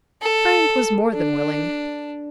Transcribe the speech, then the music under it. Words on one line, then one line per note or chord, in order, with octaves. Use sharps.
Frank was more than willing.
A4
D4